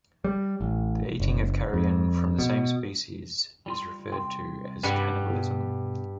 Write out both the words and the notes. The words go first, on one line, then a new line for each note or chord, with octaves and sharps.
The eating of carrion from the same species is referred to as cannibalism.
G3
A1
F#1
F2
B2
G3 F4 C6
C2 G5 C6
G2 G3 F#5
B2